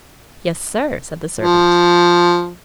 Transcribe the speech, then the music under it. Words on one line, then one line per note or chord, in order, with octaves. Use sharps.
"Yes, sir," said the servant.
F3